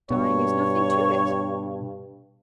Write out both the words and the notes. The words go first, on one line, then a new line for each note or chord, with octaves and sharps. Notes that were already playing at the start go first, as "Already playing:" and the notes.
Dying is nothing to it.
G2 B2 C#5